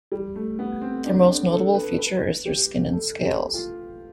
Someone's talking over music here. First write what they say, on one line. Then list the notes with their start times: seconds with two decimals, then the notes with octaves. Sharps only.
Their most notable feature is their skin and scales.
0.12 G3
0.36 A3
0.59 B3
0.81 C4
1.06 D4
1.28 D4
1.52 A4
1.75 B4
1.98 B4
2.46 G4
2.93 A4
3.23 G4
3.54 F4